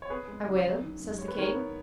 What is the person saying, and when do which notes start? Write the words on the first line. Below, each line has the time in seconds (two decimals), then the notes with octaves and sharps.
"I will," says the king.
0.02 C#5
0.09 B3 G#4 B4
0.28 G#3
0.46 C#3
0.63 F#3
0.82 D#3
1.00 F#2
1.18 G#3 C#5
1.28 B4
1.36 D#3 A#4 C#5
1.55 B3